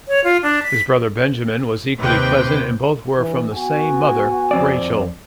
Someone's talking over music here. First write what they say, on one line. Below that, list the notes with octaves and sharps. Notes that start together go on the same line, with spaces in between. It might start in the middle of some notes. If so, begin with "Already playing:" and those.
His brother Benjamin was equally pleasant and both were from the same mother, Rachel.
C#5
F4
D4
B6
D#2 C3 C4 B4 G5
G2 E3
B3 F#4 G#5
F2 C4 D5